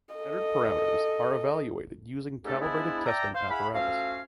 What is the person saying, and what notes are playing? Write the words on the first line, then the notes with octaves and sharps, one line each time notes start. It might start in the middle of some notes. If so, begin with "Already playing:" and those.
Standard parameters are evaluated using calibrated testing apparatus.
A4 D#5
E2 G#2 A3 C#4 G4 A4
F3 G#3 B3 D4 E4
D5 E5 G5 A5 A#5
C5 F5
E4 G#4 F5 F#5 B5
F3 A3 C#4 F#4 F5